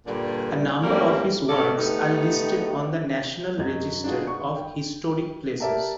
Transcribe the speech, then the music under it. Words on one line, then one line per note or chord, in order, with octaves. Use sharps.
A number of his works are listed on the National Register of Historic Places.
G2 A#2 D3 G3
F#2 A2 G3 A#3 C4
D2 G#2 C#4 A4 D5
D3 A3 B3 D#4 G4
F#2 F#3 D#5 G#6
D4 D#4 F4 F#4 G#4
C#6
G5
G4 A#4 D5 E5 A5 A#5